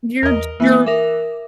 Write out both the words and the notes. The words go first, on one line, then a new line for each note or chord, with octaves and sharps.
you're you're
E2 A#4 D#5
E3 A#3
A#4 E5 D6 D#6